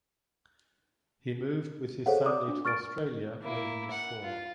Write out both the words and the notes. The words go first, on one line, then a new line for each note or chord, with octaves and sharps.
He moved with his family to Australia when he was four.
G#4 A4 C5 C#5 F5 F#5
D5 D6 D#6
D4
C#6 F6 A6 D7
A#3 E4
F#5
F4